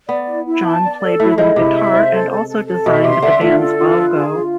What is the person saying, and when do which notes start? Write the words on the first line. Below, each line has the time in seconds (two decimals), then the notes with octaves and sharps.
Jon played rhythm guitar and also designed the band's logo.
0.09 B3 D5
0.27 E4
0.46 E4
0.65 A5
0.83 D5
1.01 A4
1.20 A3 E4
1.38 G#3 E4
1.56 C3 E4
1.75 E5
1.93 C5
2.11 A4
2.30 A4
2.49 A4
2.67 A4
2.85 B2 E5
3.04 C3 C6
3.22 D3 E5
3.41 A3 F4
3.59 A4
3.78 F4
3.96 B4
4.15 G#4
4.33 F4